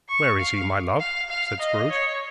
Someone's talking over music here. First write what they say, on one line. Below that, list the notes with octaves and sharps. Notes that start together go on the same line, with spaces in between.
'Where is he, my love?' said Scrooge.
C#6
F5
F5
F5
D#5
C#5